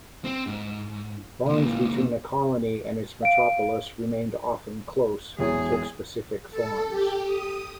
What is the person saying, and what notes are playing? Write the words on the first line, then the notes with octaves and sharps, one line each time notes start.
Bonds between a colony and its metropolis remained often close, and took specific forms.
C4
G#2
C#2 A#2
F5 D7
E1 E2 G#4 C#5
A4
G4
D#6